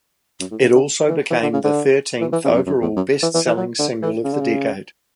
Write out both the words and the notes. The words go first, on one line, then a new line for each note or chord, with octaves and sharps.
It also became the thirteenth overall best-selling single of the decade.
F#2
A2
C#3
D3
E3
E3
D3
C#3
D3
E3
E3
C#3
E2
F#2
F#2
E2
F#2
E3
E3
E3
F#3
D3
E3
C#3
D3
C#3